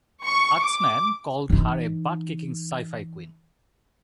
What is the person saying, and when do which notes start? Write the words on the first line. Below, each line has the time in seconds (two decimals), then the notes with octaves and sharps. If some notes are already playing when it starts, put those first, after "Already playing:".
AskMen called her a butt-kicking sci-fi queen.
0.25 C#6
0.64 D6
1.50 E3 D#4